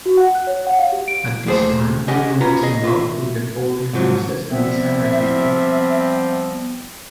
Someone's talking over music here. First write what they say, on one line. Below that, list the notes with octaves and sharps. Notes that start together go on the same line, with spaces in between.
At this time, William was in love with the Polish Princess Elisa Radziwill.
F#4
F#5
F#6
C#5
F#5
F5
G4
D7
D#2 A3 G#4 A4 C5
C#4 G4 D#5 F#5 G#5
C#4 F4 B4 A#5
G#4 D#5
F4 E5
G#2 C3 F3 F#3
F3 G3 B3 C4 E5